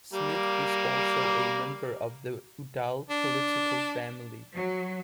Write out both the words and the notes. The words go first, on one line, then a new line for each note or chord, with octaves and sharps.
Smith is also a member of the Udall political family.
G3 A#3
D4
F#3